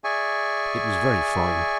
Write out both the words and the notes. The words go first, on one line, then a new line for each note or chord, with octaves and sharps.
It was very fine!
G#4 D5 E5 G#5 C#6